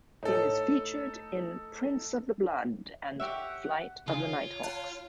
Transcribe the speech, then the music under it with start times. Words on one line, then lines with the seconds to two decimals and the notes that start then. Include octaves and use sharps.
It is featured in "Prince of the Blood" and "Flight of the Nighthawks".
0.23 A2 D#4 A4
3.20 G4 C#5 E5 F#5
4.08 C#3 F4 C#5
4.63 F#5 A5